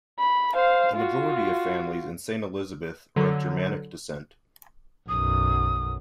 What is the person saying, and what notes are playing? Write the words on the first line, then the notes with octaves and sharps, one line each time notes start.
The majority of families in Saint Elizabeth are of Germanic descent.
B5
C5 F5
F4 F#4
D3 F#3
B1 F#2 D#6